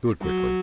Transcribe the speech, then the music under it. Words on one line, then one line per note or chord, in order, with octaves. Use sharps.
"Do it quickly."
F#3